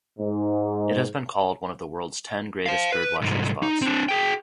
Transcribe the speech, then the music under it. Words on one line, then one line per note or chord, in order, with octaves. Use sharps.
It has been called one of the world's ten greatest bird watching spots.
G#2
C5 F5
B4
C2 G#2
D#4
C4 D4
G#4 G5